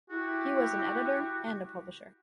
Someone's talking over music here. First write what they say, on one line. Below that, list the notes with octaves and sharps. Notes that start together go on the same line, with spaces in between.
He was an editor and a publisher.
E4 F#4 G4